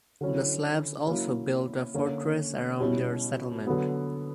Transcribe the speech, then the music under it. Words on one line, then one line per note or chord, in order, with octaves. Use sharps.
The Slavs also built a fortress around their settlement.
D3 F#3 C#4 E4
F#3 A#3 C#4 E4
D3 A#3 C#4
B2 G3 C#4 E4
D3 F#3 B3